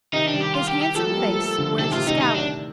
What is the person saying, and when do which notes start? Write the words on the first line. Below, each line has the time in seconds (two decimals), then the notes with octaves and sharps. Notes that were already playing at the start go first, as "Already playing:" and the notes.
His handsome face wears a "scowl."
0.13 C3 D#3 D#4
0.27 D4
0.34 D#3 G3
0.41 G4
0.54 F4
0.68 G4
0.82 G4
0.96 F3 A3 A4
1.06 G3 A#3
1.16 G3 A#3
1.27 F3 A3
1.38 F3 A3
1.58 D3 F3
1.79 C3 D#3 A4
1.92 A2 C3 F4
2.07 C3 D#3 D#4
2.20 A2 C3 D#4
2.35 D4